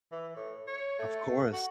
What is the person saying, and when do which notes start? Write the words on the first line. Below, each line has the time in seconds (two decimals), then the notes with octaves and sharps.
Of course,
0.12 E3
0.36 A2
0.67 C#5
0.99 A3
1.53 F#4